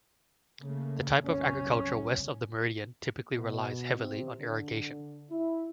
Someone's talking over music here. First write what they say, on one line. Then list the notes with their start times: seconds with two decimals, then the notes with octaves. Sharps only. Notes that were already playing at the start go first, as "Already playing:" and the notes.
The type of agriculture west of the meridian typically relies heavily on irrigation.
0.61 C#3 A3 A#3
1.24 C2 F#2 C#3 C#4
3.34 B2
3.97 C3
4.38 D3
5.30 E4